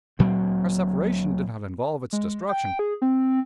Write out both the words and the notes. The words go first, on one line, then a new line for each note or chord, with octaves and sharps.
Our separation did not involve its destruction.
D2 A#2 F#3 C4
G#3
G5
G#4
C4